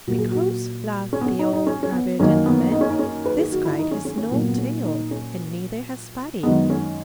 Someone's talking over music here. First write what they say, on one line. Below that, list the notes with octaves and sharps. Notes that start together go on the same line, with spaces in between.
"Because," laughed the old rabbit gentleman, "this kite has no tail and neither has Buddy."
A#2 F#3 A#3 F#4
G#4
F#4
C#4
B3
C#4
D#4
D#4
C#4
C#4
B3
F#2 D#3 A#3 C#4
B3
D#4
C#4
D#4
C#4
B4
G#4
F#4
E4
D#4
C#4
C#4
C#4
A#2 F#3 A#3 B3
B3
C#4
D#4
C#4
F#2 D#3 G#3 B3
C#4